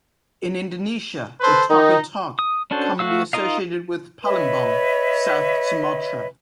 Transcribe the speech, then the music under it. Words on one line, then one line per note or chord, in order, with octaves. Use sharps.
In Indonesia, otak-otak commonly associated with Palembang, South Sumatra.
A4 B4 C5
D#3 D#4
D#6
C#4 D4 F#4 A4 C5
A3 F#4 F5 E6
D#4 F4 A#4 D#5 F5
B4 C#5 D#5 E5